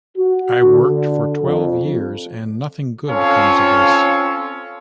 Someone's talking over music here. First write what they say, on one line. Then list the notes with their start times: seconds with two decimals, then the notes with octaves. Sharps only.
I worked for twelve years, and nothing good comes of us.
0.18 F#4
0.64 D3
1.43 F2
3.09 C4 C#4 F4 A4 C#5 F5